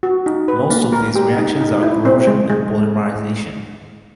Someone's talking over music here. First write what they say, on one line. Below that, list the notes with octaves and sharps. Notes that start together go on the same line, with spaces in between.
Most of these reactions are corrosion and polymerization.
F#4
D#4
B4
A#3
A#4
G4
D#4
D#4
E4
C4
G#3
G#3